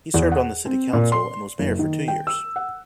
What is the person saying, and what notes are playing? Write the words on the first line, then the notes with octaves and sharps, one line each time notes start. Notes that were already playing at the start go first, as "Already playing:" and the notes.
He served on the city council and was mayor for two years.
E2
F#5
C4
A#2
C6
F#1
D#3
G5
E6
F#5